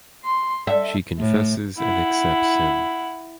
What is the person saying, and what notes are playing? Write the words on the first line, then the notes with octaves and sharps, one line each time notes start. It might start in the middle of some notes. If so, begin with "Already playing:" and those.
She confesses and accepts him.
C6
A4 E5
A2
E4 F#5